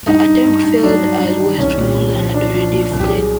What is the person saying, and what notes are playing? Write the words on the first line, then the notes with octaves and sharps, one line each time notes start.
The attempt failed, as Westmorland had already fled.
G2 D#4
G2
G2
G2
F#3 D4
G2
G2
D#3
C2 C#4
A#2
A#2
F3
F3 D4
F3
A#2
C2
G4
F#3 G#4